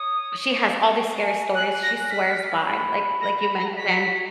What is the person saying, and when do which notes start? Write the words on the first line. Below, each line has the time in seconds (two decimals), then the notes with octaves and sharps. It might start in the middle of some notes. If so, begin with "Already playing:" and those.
she has all these scary stories, she swears by. Like like you mentioned
Already playing: C#5 D#6
0.44 C#5
0.63 F5
0.81 F#5
1.00 G#5
1.55 F#6
1.83 A#6
1.99 F#6
2.10 F6 B6
2.58 C#6
2.66 B5
3.21 A#6
3.40 A#6
3.58 A#6
3.76 C#5 B6